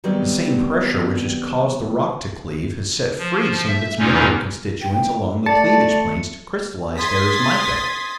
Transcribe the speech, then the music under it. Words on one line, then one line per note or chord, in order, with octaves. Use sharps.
The same pressure which has caused the rock to cleave has set free some of its mineral constituents along the cleavage planes to crystallize there as mica.
D#3 F#3 G3 B3 C4
F3
E5
E2 A#2 C#4 D#4
G5
A3 D5 A5 C#7
C6 D#6 G#6 A6 B6